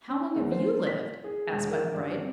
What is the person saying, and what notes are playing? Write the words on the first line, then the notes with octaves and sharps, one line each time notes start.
"How long have you lived?" asked Button-Bright.
C#4
E2
C5
B6
G#4
E1
A#4
G2
C3